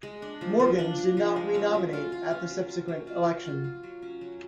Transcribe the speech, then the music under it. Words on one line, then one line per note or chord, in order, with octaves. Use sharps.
Morgans did not re-nominate at the subsequent election.
G#3
D4
F3
F3
D4
D4
F3
G#3
C#4
F#3
F4
F4
C#4
F#3
F4
F#3
F4
F#3
F4
F4
F#3
C#4
F#3